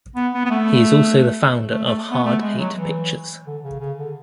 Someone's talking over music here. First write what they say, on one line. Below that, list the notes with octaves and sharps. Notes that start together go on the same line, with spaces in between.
He is also the founder of Hard Eight Pictures.
B3
B3
B3
A3
A3
A3
B3
A3
G#3
F#3
E3
D3
C#3
C#3
D3